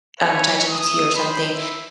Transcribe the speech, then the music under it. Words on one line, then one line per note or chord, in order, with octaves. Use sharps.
um, ChatGPT or something,
B4 C#5 E5 G#5 A#5
A3 D#6
C5 B5
E4 E5